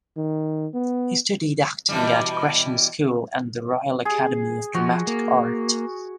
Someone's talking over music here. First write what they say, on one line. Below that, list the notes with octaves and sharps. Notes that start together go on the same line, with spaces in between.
He studied acting at Gresham's School and the Royal Academy of Dramatic Art.
D#3
B3
B2 E3 G3
G#4
F3 F#4
A#3